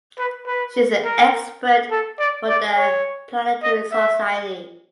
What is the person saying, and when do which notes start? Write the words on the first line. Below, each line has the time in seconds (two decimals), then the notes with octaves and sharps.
She is an expert for The Planetary Society.
0.19 B4
0.47 B4
1.04 A#4
1.91 A4
2.19 D5
2.49 D5
2.77 C#5
3.63 D#5
3.92 E5